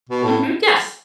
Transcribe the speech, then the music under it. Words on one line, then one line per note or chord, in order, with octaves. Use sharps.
Mhm, yes.
B2
A2